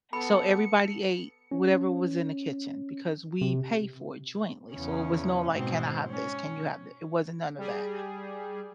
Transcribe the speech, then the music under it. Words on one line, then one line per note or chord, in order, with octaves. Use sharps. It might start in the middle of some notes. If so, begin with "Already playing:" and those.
So, everybody ate whatever was in the kitchen because we pay for it jointly, so it was no, like, "Can I have this? Can you have it?" It wasn't none of that.
B3 A4 B5 C#7
C#4
C3
E2 C#3 C#4
G#2 B2 C4
C#4
G3 G#4